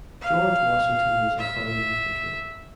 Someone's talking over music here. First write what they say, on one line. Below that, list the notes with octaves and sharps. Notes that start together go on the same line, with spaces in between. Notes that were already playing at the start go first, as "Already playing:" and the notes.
George Washington was a founding patron.
F5
E5